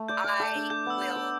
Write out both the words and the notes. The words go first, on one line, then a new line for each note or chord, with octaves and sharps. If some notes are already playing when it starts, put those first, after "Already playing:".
I will
Already playing: A3 A4
D5 G6
D5
D6
A4
D4
A4 G6
B3 E6
D5 G6
D5